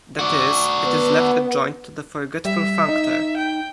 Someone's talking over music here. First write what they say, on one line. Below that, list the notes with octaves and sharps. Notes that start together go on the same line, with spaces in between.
That is, it is left adjoint to the forgetful functor.
F#4 D5
B3
G3 E5
D#4 D#5
G5